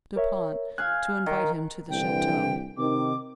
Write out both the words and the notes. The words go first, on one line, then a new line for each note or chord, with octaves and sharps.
Du Pont to invite him to the chateau.
A#4 C#5 E5
F5 G#5 F#6
D#3
C2 D3 E3 G5
C3 D#3 D6